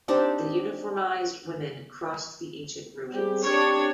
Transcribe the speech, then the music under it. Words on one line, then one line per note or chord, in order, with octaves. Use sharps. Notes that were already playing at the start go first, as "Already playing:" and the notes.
The uniformized women crossed the ancient ruins.
C4 D4 D#4 G4
G3 C4 G4 G#4
C4 D4 G4 C#5